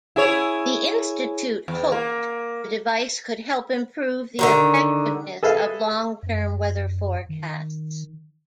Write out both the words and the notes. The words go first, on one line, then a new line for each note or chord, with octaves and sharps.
The Institute hoped the device could help improve the effectiveness of long-term weather forecasts.
E4 G#4 C#5
E2
A#3
D3 D#3 F#3
G#4 A4 B4 E5 F5
F#2
D#3